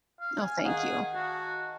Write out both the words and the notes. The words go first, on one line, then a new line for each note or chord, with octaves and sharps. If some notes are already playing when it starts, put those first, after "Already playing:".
Oh, thank you.
F5
G#5
D#3 G#4 F5 F#5
F#4 A5